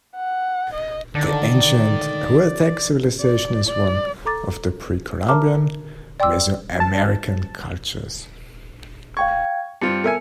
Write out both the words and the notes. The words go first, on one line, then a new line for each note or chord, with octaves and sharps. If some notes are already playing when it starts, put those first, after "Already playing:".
The ancient Huastec civilization is one of the pre-Columbian Mesoamerican cultures.
F#5
D#5
D3 D#3 D5
D5
D5
A4 A#5 D6 A6
A#4 E5 A5 A#5 D6 F6
D5 G5 C6 D6 E6
A5
F5 G5 C#6 G#6
G2 C4 F4 C#7
B3 A4 A#4 E5 G#5 C#7